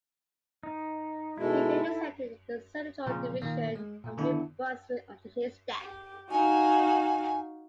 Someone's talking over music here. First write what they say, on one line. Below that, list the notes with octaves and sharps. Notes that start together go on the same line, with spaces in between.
He represented the senatorial division of New Brunswick until his death.
D#4
B2 G#3 D#4 E4 A4
A#2 C#3 F3 C4
A#2 D#3 A#3
G#3
A#2
D3 D#3 B3 D4 E4
G4
D#4 F#4 F5 G#5